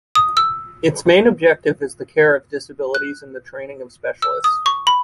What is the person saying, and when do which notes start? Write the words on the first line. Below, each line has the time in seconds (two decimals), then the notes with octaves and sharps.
Its main objective is the care of disabilities and the training of specialists.
0.15 D#6
0.37 E6
2.94 F#6
4.22 E6
4.44 D#6
4.66 C#6
4.87 B5